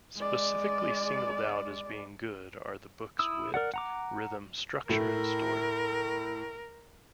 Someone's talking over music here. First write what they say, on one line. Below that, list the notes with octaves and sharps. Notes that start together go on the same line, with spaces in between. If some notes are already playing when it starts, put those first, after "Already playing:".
Specifically singled out as being good are the book's wit, rhythm, structure, and story.
G#3 D5
E4 D#6 E6
A#4 D5 F#5
F#5 A#5 D6
A2 A3 A#4